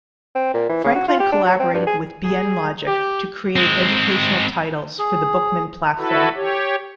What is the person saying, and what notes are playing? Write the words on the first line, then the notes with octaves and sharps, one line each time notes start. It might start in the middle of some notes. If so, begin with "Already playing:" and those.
Franklin collaborated with Bien Logic to create educational titles for the Bookman platform.
C4
A#2
E3
C#3
F#4
F4
G4
D4
F#3
C4
G2
G#4
G#4
G4
G#3 C4
G#4
E4 F#4 A4 B4
G4 C#5